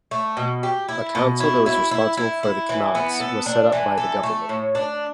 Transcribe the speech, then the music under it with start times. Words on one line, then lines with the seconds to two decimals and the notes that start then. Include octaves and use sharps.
A council that was responsible for the qanats was set up by the government.
0.11 A3
0.37 B2
0.63 G4
0.88 E4
1.15 B2
1.40 E4
1.66 E4
1.91 E4
2.17 E4
2.43 E4
2.69 E3
2.95 B3
3.20 A4
3.46 D4
3.72 E3
3.97 A4
4.23 A3
4.49 A2
4.75 D4